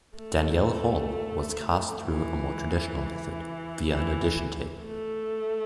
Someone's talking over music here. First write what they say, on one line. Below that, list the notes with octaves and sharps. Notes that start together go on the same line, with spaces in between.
Dannielle Hall was cast through a more traditional method, via an audition tape.
A3
E3
E3
A3